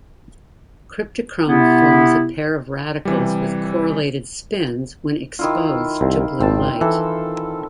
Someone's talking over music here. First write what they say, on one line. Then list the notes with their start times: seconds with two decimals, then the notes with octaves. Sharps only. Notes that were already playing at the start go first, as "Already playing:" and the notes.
Cryptochrome forms a pair of radicals with correlated spins when exposed to blue light.
1.47 C3 B3 E4
3.05 C3 E3 G3
5.39 D#3 E4 F4
6.01 C2
6.40 G#1 C4 A5
6.81 E3 A4